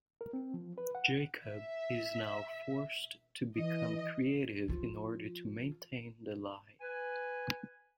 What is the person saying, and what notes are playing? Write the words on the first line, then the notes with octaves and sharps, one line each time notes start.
Jacob is now forced to become creative in order to maintain the lie.
A#4
C4
F3
B4
F#5
E5
E3 D#5
F3 F4
B4 G#5